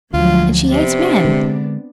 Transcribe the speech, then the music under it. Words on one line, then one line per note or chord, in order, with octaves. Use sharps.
And she hates men!
D2 F3 F#3 G#3 F4
C3 B3 C4 D4
D3 G#3